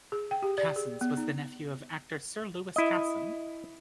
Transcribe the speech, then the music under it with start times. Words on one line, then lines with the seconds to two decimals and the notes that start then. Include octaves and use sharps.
Casson's was the nephew of actor, Sir Lewis Casson.
0.12 G#4
0.31 G5
0.43 G4
0.58 D5
0.76 G#4
1.01 B3
1.17 D#4
2.76 E4 D#5